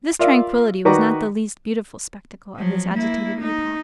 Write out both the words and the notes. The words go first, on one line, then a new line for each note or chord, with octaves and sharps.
This tranquillity was not the least beautiful spectacle of this agitated epoch.
F4 A#4 D5 E5 F5
D#3 F#4 B4 D5 A#5 D6
F3 F#3
A#3 E4
D#4